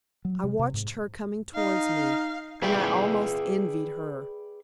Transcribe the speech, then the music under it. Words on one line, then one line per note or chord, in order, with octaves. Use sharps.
I watched her coming towards me, and I almost envied her.
F#3
C3
C3
G#2
D#4 F5
G#4 B4 D5 E5 G5